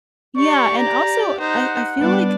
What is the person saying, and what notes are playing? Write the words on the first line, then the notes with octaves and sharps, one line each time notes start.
Yeah, and also I I feel like,
G4 D5 C#6
A#5
D#4 C5 F#5
G3 B3 D4 D5